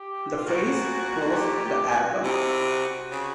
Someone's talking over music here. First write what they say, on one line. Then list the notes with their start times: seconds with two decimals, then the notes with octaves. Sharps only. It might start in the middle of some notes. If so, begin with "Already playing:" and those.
The phrase closed the album.
Already playing: G4
0.37 F4
0.47 A#2 F#4
0.56 B2
0.66 A#2
1.30 F#4
1.36 G4
1.65 G4
1.94 F#4
2.24 C3 E4
2.32 D#4
2.41 E4
2.68 F#4
3.12 C#3